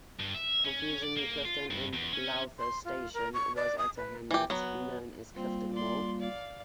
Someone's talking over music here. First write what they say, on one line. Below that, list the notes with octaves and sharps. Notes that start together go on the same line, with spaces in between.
Confusingly Clifton and Lowther Station was at a hamlet known as Clifton Moor.
G2
E5
C#4
D5
A#3
F4
G2
E2
C#4
C6
F4
A#4
C#6
D5
D#6
B4
E3 G4
F#3 B3
G3 A#3 C4 F4
D5 C6
D5 F5